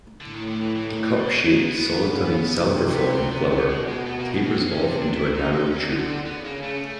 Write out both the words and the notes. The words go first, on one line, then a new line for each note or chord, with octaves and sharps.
The cup-shaped, solitary, salverform flower tapers off into a narrow tube.
A2 D3
D#3
D3
E3
E3
D#3
E3
D3
G#3
A#3
B3
C#3
C3
B3
C4
B3
B2 A3
G#3
G#3
A3
A#3
B3
C#4
C4
C3 C#4
D#4
D4
C3 E4
D#4
D#4
D3 C#4
B3
C4
C#3 B3
A#3
A3